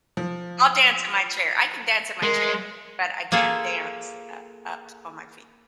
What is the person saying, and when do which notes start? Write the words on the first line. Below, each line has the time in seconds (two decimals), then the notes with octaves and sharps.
I'll dance in my chair I can dance in my chair, but I can't dance up up on my feet.
0.17 F3
2.23 G#3 A#4 C6
3.32 A#3 F4 G#4 A4